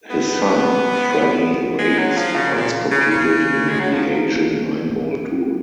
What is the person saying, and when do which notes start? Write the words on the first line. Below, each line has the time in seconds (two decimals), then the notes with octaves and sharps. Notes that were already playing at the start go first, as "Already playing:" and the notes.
His son, Frennie Reyes, once competed in the Asian Nine-ball Tour.
0.10 B3
1.78 G#3
1.98 F#3
2.16 F3
2.36 C#3
2.54 A#2
2.91 C#3
3.10 C#3
3.69 G#3
3.80 F#3
3.93 F3